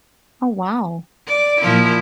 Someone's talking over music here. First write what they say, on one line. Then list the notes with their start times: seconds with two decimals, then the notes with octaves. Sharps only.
Oh, wow.
1.27 D5
1.60 A#2 F3 E4